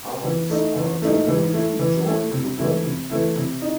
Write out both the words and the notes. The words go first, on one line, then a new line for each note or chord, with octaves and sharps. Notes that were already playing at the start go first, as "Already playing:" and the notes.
Arms are generally joined to body.
E3
A3 D#4
E3
A3 D#4
E3
A3 E4
E3
A3 E4
C3
E3 A3 E4
C3
E3 A3 E4
C3
D#4